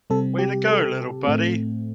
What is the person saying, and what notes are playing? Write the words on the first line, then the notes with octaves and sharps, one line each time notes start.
Way to go little buddy!.
C3 G3 C4 A4
G4
A4
A2 A3 C4